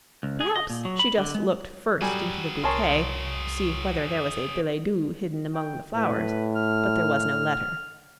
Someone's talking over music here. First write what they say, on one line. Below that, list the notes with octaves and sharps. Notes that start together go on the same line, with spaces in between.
Perhaps she just looked first into the bouquet, to see whether there was a billet-doux hidden among the flowers; but there was no letter.
C#2
G#4
D#5
A#2
F#3
B5
D3
G#3
F#3 G3 F#4 G#4 G#5
C2 A#4 C#5 G#5 A5 C6
G5
A2 B4
F6